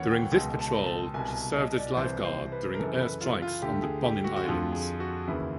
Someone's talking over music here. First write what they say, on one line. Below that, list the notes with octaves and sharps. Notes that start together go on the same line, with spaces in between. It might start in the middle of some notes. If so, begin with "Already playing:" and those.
During this patrol, she served as lifeguard during air strikes on the Bonin Islands.
Already playing: D#2 C#3 E3 C#5 F#5
G5
C#2 B2 G5
A5
A5
C2 B2 G#5
D#5
D5
C2 C3 E3 C5
C5
B4
A#4
F#2 C#3 E3 A4
B4
F4
F4
D2 D3 G4
G#4
G4
F#4
F#4
F2 D3 F4
G#4
F#4
D#2 C#3 E3 E4